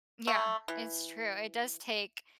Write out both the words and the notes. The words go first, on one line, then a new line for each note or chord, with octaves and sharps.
Yeah, it's true. It does take
A3
E3